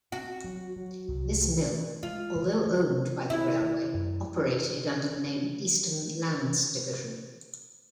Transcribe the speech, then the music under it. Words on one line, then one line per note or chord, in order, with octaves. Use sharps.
This mill, although owned by the railway, operated under the name Eastern Lands Division.
C4 F#4
F#3
F#3
C2
A3
A3
G#3 F4
C#3
D#3
B3
D#3 E4
D#3
F#2